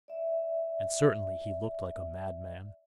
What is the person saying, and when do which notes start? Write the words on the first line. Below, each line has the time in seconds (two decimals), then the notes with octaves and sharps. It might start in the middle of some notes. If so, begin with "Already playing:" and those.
And certainly he looked like a madman.
0.08 D5 E5